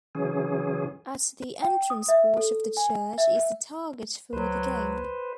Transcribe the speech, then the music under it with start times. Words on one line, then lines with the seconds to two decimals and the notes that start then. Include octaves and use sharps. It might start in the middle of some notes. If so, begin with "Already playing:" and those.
At the entrance porch of the church is the target for the game.
0.15 C#3 E3 F#3 C#4 G#4
1.62 G5
1.90 D#6
2.09 E5
2.37 A4
2.77 G#5
3.18 E5
4.33 C#2 F#3 B4 C5